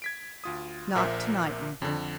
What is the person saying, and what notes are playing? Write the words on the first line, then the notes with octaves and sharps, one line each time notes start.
"Not tonight, my boy."
G#6 B6 D7
D2 F4 D#6
A#1 A#2 A#4 C5 E5 B6
F2 D3